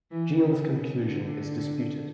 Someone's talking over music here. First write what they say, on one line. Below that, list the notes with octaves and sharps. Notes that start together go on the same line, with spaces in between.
Jeal's conclusion is disputed.
E3
C#3
C#3
D3